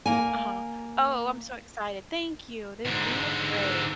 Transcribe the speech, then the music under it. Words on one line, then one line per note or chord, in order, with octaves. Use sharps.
Uh-huh. Oh, I'm so excited. Thank you. This these are great.
A#3 G#5
G#2 D3